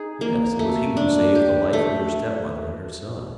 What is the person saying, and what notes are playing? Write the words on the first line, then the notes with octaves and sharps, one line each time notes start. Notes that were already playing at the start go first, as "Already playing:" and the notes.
"Yes; it was he who saved the life of your step-mother and her son."
Already playing: D#4 G#4
A#3
A3
D4
G4
A3